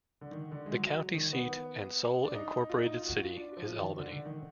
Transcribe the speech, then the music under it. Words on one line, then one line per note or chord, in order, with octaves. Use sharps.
The county seat and sole incorporated city is Albany.
D3
D#3
D3
G#3
F#3
D#3
B3
D4
D#4
F4
D#4
D#4
F4
F#4
F4
D4
F3
D#3
D3
D3
D#3